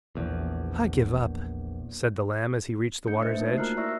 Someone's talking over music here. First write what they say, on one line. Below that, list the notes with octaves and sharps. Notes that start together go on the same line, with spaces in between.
"I give up," said the lamb as he reached the water's edge.
A#1 E2
A3 D4 G6 C#7
B4 C5 D#5 E5
A3 A#3 D#4 F4
F#4 A#4 A#5 F6 F#6 C7
E4 D5 E5 C#6 E6 A#6